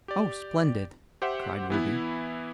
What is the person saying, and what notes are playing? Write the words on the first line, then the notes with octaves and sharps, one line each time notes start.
"Oh, splendid," cried Ruby.
G4 D5
G4 C5 E5 F#5
E3 B3 E4